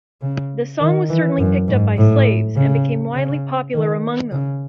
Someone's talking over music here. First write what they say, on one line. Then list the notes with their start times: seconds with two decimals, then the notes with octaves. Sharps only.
The song was certainly picked up by slaves and became widely popular among them.
0.21 C#3
0.80 D#3
1.09 E3
1.39 F#2
1.68 G#2
1.97 A2
2.56 C#3
3.15 C#3
3.73 D#3
4.32 C#3